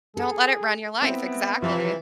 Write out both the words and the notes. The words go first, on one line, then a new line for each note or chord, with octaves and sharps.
Don't let it run your life exactly.
G#4 A4
B3 C4 E4 E5
C3 E3 F3 F4